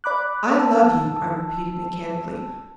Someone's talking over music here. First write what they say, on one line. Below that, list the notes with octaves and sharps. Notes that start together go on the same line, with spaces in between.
"I love you," I repeated mechanically.
D5 B5 D6 F#6
A5 E6